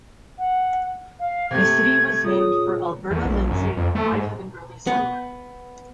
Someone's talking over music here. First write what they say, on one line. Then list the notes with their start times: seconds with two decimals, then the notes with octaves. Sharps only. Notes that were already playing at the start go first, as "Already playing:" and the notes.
The city was named for Alberta Lindsey, the wife of an early settler.
0.38 F#5
1.19 F5
1.51 C3 A3 G#6
2.24 F4 G#4 C#5 D#6
3.11 E2
3.25 A#1
3.51 F#2
3.77 F2
3.95 A3
4.12 G#2
4.87 B3